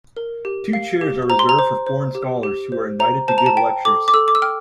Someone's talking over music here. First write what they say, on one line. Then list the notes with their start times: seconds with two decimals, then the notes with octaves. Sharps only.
Two chairs are reserved for foreign scholars who are invited to give lectures.
0.17 A#4
0.45 G4
0.73 F5
1.01 G4
1.30 C5 A#5
1.39 C6
1.49 A#5
1.59 C5
1.87 C5
2.15 G4
2.43 G4
2.72 C5
3.00 C5 A#5
3.28 C5 A5
3.38 A#5
3.46 A5
3.57 G5
3.85 A4 D6
4.08 D6
4.14 A4 E6
4.28 D6
4.35 E6
4.42 G5 F6